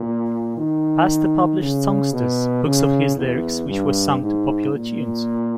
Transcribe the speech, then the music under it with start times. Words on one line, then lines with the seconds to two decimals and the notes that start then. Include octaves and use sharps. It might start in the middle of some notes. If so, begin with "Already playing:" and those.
Pastor published "songsters", books of his lyrics which were sung to popular tunes.
Already playing: A#2
0.57 D#3
1.61 C#3
2.13 B2
2.65 C#3
3.16 E2
3.69 G2
4.21 G#2
4.73 A#2